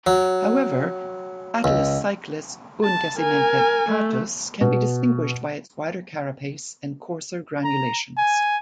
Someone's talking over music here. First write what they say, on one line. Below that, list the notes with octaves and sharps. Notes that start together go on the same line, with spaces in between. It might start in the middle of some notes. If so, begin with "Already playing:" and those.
However, "Atelecyclus undecimdentatus" can be distinguished by its wider carapace and coarser granulations.
F#3
C#2
A5
A#4 G#5
A3
B2
A#5
G#5